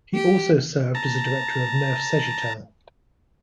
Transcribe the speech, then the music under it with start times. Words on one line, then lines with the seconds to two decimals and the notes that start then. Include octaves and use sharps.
He also served as a director of Neuf Cegetel.
0.14 G4
0.95 A5 A#5